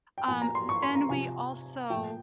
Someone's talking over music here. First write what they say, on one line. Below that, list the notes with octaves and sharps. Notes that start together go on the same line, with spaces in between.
um, but then we also,
G5
A#2 F3 G#5
A#5
C6
C#6
C6
A#5
C3 F3 G#5
A#2 F3 G5